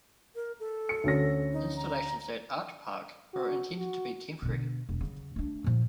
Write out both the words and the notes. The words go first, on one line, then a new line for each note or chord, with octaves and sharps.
Installations at Artpark were intended to be temporary.
A#4
A4
C#7
D2 C#4 A#6
D#4
A#5
F#4
F#4
B2 D3
E1
C#3 F#3
A3 D4
A#2 F3